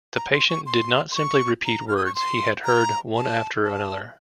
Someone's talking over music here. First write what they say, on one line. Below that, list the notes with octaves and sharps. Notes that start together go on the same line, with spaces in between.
The patient did not simply repeat words he had heard one after another.
A#5
C6
C#6
C6
C6
C#6
A#5
F6
D#6
C#6
C6
A#5
A5
A5